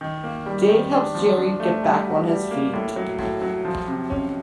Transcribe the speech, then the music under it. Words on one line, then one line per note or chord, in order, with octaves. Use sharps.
Dave helps Jerry get back on his feet.
D#3
A#3
G3
D#3
D4
F3
D4
A3
G3
F#4
G3
A#3
A2
F#3
A2
F#3
F3
C3
C#4